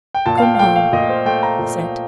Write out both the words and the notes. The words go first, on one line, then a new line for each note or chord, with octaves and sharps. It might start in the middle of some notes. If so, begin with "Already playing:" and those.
"Come home," he said.
G5
A#2 A5
F5
G5
F5
A3 G5
F5
A#2 D#5
C5
A3 G5
A#5
A#2